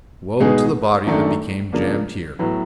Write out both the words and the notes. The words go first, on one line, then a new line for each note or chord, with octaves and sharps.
Woe to the body that became jammed here!
B2 G#3 B3 D#4 G#4
F#2 D#3 F#3 A3 D4
C#3 F3 A#3 D4
A2 F#3 B3